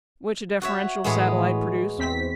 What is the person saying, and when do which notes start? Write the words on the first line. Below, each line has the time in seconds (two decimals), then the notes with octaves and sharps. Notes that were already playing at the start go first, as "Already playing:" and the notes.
Which a deferential satellite produced.
0.62 F#4 C#5 E5
1.04 A2 E3 G#3 B3 C#5
1.98 E2 C4 B6